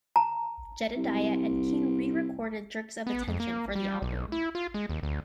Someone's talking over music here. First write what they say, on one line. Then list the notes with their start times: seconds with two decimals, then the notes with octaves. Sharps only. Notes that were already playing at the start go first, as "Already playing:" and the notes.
Jedediah and King re-recorded "Jerks of Attention" for the album.
0.16 A5 A#5
0.96 C2
3.07 B3
3.28 F2
3.40 A#3
3.75 G3
4.02 B1
4.32 E4
4.55 F4
4.74 G#3
4.89 D#2
5.03 D2